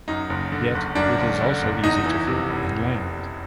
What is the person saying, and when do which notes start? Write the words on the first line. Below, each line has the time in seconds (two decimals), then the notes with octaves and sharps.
Yet it is also easy to fly and land.
0.08 F#2 D#4
0.30 F#1
0.52 D3
0.75 F#1
0.95 F#2 D4
1.18 F#1
1.40 D3
1.62 F#1
1.84 E2 D#4
2.06 E3
2.27 C3
2.50 F1